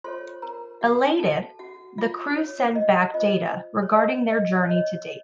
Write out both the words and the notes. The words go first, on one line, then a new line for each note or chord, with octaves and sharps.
Elated, the crew send back data regarding their journey to date.
F4 A4 C5 C#5 C6
A#4 A#5
F#4 F#5
A4 A5
F#4 F#5
F4 F5
C#5
D#5
F4 C5 D#5
C#5
D#5
D#5
C#5
D#5